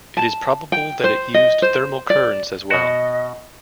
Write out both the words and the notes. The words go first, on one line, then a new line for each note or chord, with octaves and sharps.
It is probable that it used thermal currents as well.
A5
G5
C5
D#5
C5
D5
B2 F#4 D#5